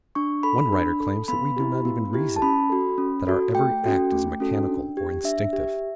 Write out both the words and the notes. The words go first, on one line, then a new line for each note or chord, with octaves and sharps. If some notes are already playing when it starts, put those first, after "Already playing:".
One writer claims that we do not even reason--that our every act is mechanical, or instinctive.
D4 C#6
A4 B5
D4
A4
B3 B5
E4 G4
B3
E4 G4
A5
C#4 B5
F#4 A4
C#4
F#4 A4
A3 G5
C#4 F#4 A4
A3
C#4 F#4 A4
D4
G4
D4 E5
G4